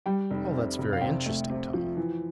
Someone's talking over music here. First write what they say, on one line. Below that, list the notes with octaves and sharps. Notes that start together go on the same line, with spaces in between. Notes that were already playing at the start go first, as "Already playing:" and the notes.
"All that's very interesting, Tom."
G3 G5
F1
C3
F1
F5
C3 G5
A3
C3
F3
E3